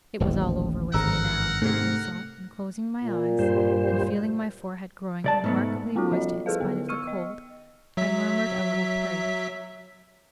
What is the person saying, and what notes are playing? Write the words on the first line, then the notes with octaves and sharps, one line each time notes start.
It was all over with me now, I thought, and closing my eyes, and feeling my forehead growing remarkably moist in spite of the cold, I murmured a little prayer.
D#1 A1
G#1 G2 D3 A#4 F#5 A#5 E6
G#2 C3 A3 A#4 F#5
A#2
G2 G3 C5
C2 D5 A5
G#2 A3 B3
A3 B3 C#4 F4 F#4 A4
F3 G3 D#5
E4 G#4 A4 B4 F5
D3 B3
C#6 E6 F6 C#7 D#7
D#5
F#3 E5 B6